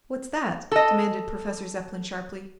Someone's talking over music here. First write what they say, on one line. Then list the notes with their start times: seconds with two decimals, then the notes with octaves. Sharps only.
"What's that?" demanded Professor Zepplin sharply.
0.72 A4 D#5